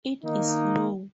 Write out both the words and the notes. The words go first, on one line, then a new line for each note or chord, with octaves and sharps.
It is slow.
D#3 A#3 D#4